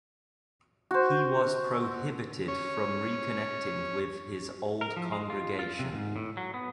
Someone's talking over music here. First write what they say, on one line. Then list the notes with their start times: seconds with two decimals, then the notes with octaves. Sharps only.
He was prohibited from reconnecting with his old congregation.
0.91 F#4 C5
2.48 C#4 C#5
4.81 A#4
4.97 F3
5.12 G#3
5.30 F4
5.59 F4
5.79 C3
5.92 G#2
6.16 A2
6.37 F#3
6.54 B3